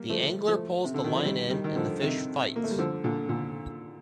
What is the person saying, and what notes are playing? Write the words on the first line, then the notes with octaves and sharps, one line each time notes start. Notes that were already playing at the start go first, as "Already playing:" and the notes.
The angler pulls the line in and the fish fights.
Already playing: G3 A#3
F3 A3
F3 A3
C3
D3
D#3
F3
D#3 G3
D#3 G3
D#3
D3 F3
C3 D#3
A#3
A3
G3
D3 F3
A#2 D3
A#2 D3